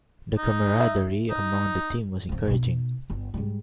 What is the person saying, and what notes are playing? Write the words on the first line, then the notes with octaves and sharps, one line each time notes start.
The camaraderie among the team was encouraging.
D#4
E5
D#4
F2 F3
B2 D#4
G1 B3
G#2 G3